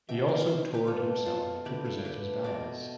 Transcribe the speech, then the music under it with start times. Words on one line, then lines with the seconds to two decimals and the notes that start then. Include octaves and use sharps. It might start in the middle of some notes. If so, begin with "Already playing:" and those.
He also toured himself to present his ballads.
0.09 B2 G3 C4 E5 G5
0.28 D5 F5
0.48 C5 E5
0.74 G4 B4
0.87 B2 G3 B3 F4 A4
1.26 F4 A4
1.65 D3 A3 C4 G4 B4
1.85 F4 A4
2.05 G4 B4
2.44 B2 A3 C4 B4 D5